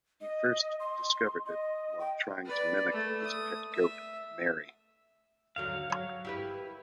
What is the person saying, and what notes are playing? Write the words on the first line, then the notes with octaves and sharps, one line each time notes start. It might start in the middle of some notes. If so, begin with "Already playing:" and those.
He first discovered it while trying to mimic his pet goat Mary.
D#5
C6
D#5
G5
B4 D5
A3
D#6
E5
D#2 D3 F#3 F5
F#3 C#5
E4 G4 B4